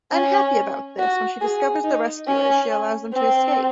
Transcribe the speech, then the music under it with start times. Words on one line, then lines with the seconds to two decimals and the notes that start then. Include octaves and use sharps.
Unhappy about this, when she discovers the rescuers, she allows them to escape.
0.12 C#4
0.98 F#4
1.41 G#4
1.84 D#4
2.28 C#4
3.14 C4